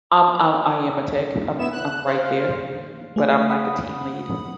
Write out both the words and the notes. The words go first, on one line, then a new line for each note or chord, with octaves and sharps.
um um, I am a tech, I'm I'm right there, mhm, but I'm like a team lead,
B3 E4 E5 E7
F#6
C5 F5
A3 G#4
F#5 B5 D#6